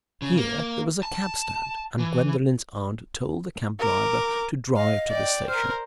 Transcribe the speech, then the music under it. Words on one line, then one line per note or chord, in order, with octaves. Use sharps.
Here there was a cab-stand, and Gwendolen's aunt told the cab-driver to drive to the station.
C#3
A#3
A5
E3
A#4 D6
D#5 F5
D5 G5
A#4 C5 F6